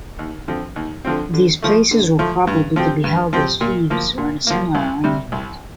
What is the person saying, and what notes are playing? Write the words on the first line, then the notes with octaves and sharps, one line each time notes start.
These places were probably to be held as fiefs or in a similar arrangement.
D#2
D3 F3 C4
D#2
D3 F3 C4
D3
F3 A3
D3
F3 A3
G2
F3 C4 G4
G2
F3 C4 G4
A#2
F3 A#3
A#2
F3 A#3
C2
C3 G3
C2